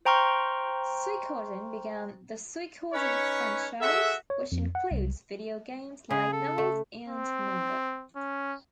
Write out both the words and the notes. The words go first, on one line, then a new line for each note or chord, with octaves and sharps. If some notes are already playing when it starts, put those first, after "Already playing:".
"Suikoden" began the "Suikoden" franchise, which includes video games, light novels, and manga.
C5 G5 A#5 C6 C#6 F6
C#4 D#4 B4 C#5
F#4 G#4 A4 E5
C#5
F2
F#5
C2
C#3 G#4
A4
A3
C4
C#4